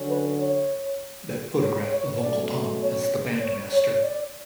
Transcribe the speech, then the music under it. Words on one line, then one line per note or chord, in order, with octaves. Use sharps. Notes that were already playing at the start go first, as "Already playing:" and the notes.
That photograph of Uncle Tom as the bandmaster.
Already playing: D3 F#3 C#4
B4
C#5
C#5
C#5
B2 F#3 A3 C#4 D5
C#5
C#5
C#5
D5